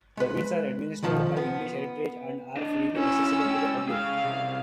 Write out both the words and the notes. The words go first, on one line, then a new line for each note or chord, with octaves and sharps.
The ruins are administered by English Heritage and are freely accessible to the public.
G#3 B4
B1 D#3 F3 A5
B3
D4 D#5
C#4 E4 F#4 E6
G#3 G5
C#4 G#4 F5
C2